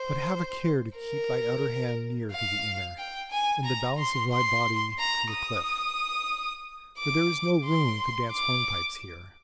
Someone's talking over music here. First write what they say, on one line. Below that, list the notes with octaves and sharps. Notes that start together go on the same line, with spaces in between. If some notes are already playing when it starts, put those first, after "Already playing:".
But have a care to keep thy outer hand near to the inner, and the balance of thy body to the cliff, for there is no room to dance hornpipes here.
Already playing: C5
A#4
F5
G5
G#5
A#5
C6
C6
A#5
D#6
D6
C6
D6